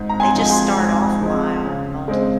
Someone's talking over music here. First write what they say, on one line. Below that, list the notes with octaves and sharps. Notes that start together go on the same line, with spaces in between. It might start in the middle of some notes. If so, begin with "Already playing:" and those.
They just start off wild.
Already playing: G#2
A#5
G#5 C6
F3 G#3 C4
G#5 C6
G#2
F3 G#3 C4
C#3
G#3 C4